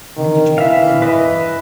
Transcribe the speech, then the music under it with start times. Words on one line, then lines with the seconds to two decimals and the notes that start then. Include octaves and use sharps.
"When did you get them, Harry?"
0.17 D#3
0.58 E3 E5 F5
1.02 B4 D#5 E5